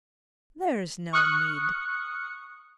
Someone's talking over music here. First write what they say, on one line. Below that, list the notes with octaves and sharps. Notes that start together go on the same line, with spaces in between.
There's no need.
C#6 D#6 F6 F#6 C#7